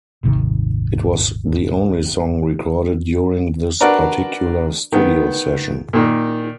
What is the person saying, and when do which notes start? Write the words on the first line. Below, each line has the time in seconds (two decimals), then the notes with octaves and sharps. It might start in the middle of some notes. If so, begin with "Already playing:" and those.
It was the only song recorded during this particular studio session.
0.23 D#1 G#1 C3 D#3
3.81 D4 F#4 A#4 B4 D5 A#5
4.92 D#3 B3
5.93 A#2 D#3